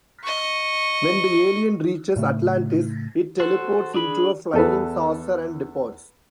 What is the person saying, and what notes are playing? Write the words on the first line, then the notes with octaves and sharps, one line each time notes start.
When the alien reaches Atlantis, it teleports into a flying saucer and departs.
D#5 C#6
A2 C#3 A3
F#4 A4 C5
D4 G#4 B5
E2 A4 B4